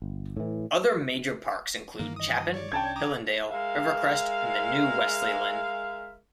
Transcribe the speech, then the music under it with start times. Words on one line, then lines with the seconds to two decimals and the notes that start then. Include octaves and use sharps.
Other major parks include Chapin, Hillendale, Rivercrest, and the new Wesley Lynn.
0.02 G1
0.37 A2 E3
1.99 G2 D#3 E3 A#3
2.16 D#5 D#6
2.54 C#5 D5
2.72 C2 C#4 D4 G5 A5 G#6
2.96 A#5 D6 D#6
3.52 G#3 A#4 E5 F5